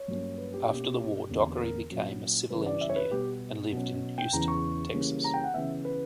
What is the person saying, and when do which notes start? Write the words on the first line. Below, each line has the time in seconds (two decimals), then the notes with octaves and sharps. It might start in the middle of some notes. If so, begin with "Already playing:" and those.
After the war, Dockery became a civil engineer and lived in Houston, Texas.
Already playing: C#5
0.08 G2 F#3 A#3 C#4
0.38 B4
0.53 G4
0.69 B2 A#3 C#4 G4
1.29 E2 D3 A#3 C#4
1.60 A#4
1.90 A#2 F#3 C#4
2.50 C#3 E3 G3 B4
2.66 D5
2.81 E5
2.90 C#5
2.96 B4
3.11 B2 G3 B3 G4
3.72 B2 F#3 C#4
4.18 G5
4.33 E2 C#3 E3 A#5
4.48 C#6
4.93 C#3 E3 G3 A#3 C#4
5.24 A#5
5.34 G5
5.44 F#5
5.54 C#3 E3 B3 E5
5.85 B4